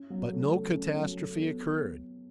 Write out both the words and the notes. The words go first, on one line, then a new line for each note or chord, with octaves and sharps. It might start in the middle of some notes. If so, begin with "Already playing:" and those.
But no catastrophe occurred.
Already playing: C#4
F#3
A3
C#3
C#4
F#3
A4
B3